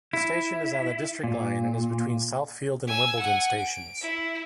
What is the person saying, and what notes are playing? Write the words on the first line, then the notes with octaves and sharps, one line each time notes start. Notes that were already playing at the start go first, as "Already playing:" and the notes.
The station is on the District line and is between Southfields and Wimbledon stations.
E4
A#2
G#5 E6
F#5 G#5
D7
E4